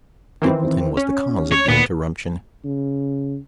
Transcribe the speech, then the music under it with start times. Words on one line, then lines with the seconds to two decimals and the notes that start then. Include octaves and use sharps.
Stapleton was the cause of the interruption.
0.42 D#3 E3 C4
0.97 C#4
1.52 C#5
1.68 A#2 B3
2.64 C#3